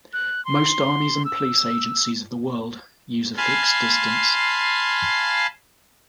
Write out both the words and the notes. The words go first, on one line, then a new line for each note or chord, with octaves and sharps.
Most armies and police agencies of the world use a fixed distance.
F#6
C6
E6
F5 G#5 A5 B5 C6